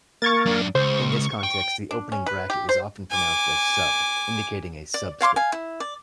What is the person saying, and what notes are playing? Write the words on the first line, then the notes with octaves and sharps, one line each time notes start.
In this context, the opening bracket is often pronounced as "sub", indicating a "sub"script.
A#3 A#4 C#6 G#6 A6
F#2 D4
C#2 C5 C#6
G5
D4
C#4
B4
G4
C5
G#5 D6
D5
C#5 F5 C6 D6
F5 G#5
E4
D5